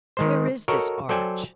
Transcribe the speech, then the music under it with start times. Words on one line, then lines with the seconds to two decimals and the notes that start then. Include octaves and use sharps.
"Where is this Arch?"
0.17 D#3 G#3 C5
0.68 F#4 A4 A#4 C#5 D#5
1.09 F#3 A4 C5 D5 G5 G#5